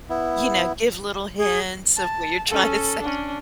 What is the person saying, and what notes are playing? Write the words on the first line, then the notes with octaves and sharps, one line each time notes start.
you know, give little hints of what you're trying to say?
B3 E4
G#4
A5
C#4 A4
C#4 D4